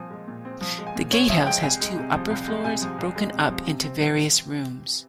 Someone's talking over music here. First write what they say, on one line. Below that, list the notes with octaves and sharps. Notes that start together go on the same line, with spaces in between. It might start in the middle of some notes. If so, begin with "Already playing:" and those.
The gatehouse has two upper floors, broken up into various rooms.
Already playing: A#2 F3 C4 G#5
G#3
A#2
C4
F3
G#3
G#5
A#2
C4 C#5
F3 E5
G#3 G5
C2 G#5
G#3
C3
F3
C2
G#3
C3 G#5
F3
C2
G#3
C3
F3
C3
C4
E3